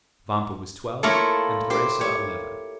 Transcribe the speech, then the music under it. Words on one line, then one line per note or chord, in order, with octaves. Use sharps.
Vampa was twelve, and Teresa eleven.
A3 A#3 E4 F4 A#4 C#5
G4 C5
G4 C#5